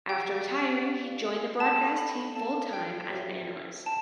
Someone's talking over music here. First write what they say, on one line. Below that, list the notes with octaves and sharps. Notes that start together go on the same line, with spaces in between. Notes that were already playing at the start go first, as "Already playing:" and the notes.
After retiring, he joined the broadcast team full-time as an analyst.
G4 D5 F5 G5
G4 D5 F5
A4 D5 F5 A5
B5
A4 D5 F5 A5
G5
C5 E5 G5
G5 A5